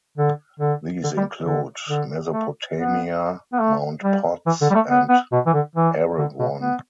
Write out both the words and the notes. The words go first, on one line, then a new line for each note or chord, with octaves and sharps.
These include Mesopotamia, Mount Potts, and Erewhon.
D3
D3
D3
G3
D3
D3
A3
B3
B3
A3
G3
E3
D3
G3
A3
B3
B3
B2
E3
D3
E3
D3
B2
B3